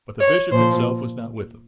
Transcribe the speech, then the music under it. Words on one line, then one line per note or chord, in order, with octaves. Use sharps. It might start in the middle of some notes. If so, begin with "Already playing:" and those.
But the Bishop himself was not with them.
C#5
A#2 F3 C5